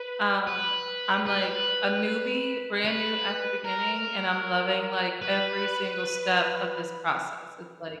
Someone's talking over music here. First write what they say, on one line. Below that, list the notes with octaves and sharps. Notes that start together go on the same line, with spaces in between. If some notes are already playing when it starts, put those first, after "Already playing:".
Um, I'm, like, a newbie, brand new at the beginning, and I'm loving, like, every single step of this process. It's like
Already playing: B4
B4
B4
B4
A#4
B4